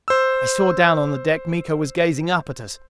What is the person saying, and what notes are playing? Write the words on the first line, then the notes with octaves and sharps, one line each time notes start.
I saw down on the deck. Miko was gazing up at us.
C5 E6